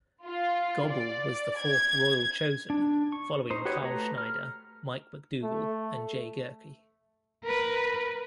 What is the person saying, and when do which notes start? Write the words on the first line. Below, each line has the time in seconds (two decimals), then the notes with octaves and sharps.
Gobble was the fourth Royal chosen, following Kyle Snyder, Mike MacDougal, and Jay Gehrke.
0.25 F4
0.88 D5
1.59 G#6
2.70 D4
3.12 C#6
3.50 D#4 C5
3.65 F#4 G4 B4 C#5 D#5
3.82 A3 B4 A#5
4.18 F6
5.43 A3
7.44 A#4 B4